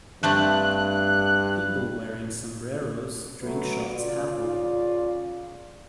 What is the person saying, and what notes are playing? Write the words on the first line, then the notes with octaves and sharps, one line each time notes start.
People wearing sombreros drink shots happily.
G2 A3 C4 D4 F#6
F#3 A3 B4
C#3 F4 D5